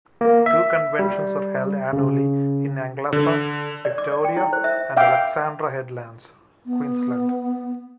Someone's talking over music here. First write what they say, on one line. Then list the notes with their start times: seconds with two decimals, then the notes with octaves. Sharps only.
Two conventions are held annually in Anglesea, Victoria and Alexandra Headlands, Queensland.
0.21 A#3
0.46 E5
0.99 G3
1.93 C#3
3.13 D3
3.85 D5
3.98 D6
4.12 D5
4.24 G5
4.37 E4
4.53 C5
4.64 E5
4.97 E5 F5 G5 D6
6.66 B3